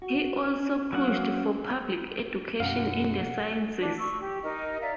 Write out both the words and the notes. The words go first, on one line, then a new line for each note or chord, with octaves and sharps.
He also pushed for public education in the sciences.
F#4
C#4
F#3 A#3 F#5
F#2 B2 C#4 F5 F#5
D4
C#6 E6
G4
D#4 A#4 D#5
D5 E5 F5 A#5